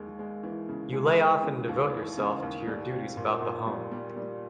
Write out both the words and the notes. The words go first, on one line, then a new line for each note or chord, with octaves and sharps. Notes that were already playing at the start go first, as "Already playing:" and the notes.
You lay off and devote yourself to your duties about the home.
Already playing: D#2 G#3
G#3
E3
C#3
G#3
E3
C#3
D#2
E3
C#3
D#2
G3
C4
A#2
A#2
G3
G3
G3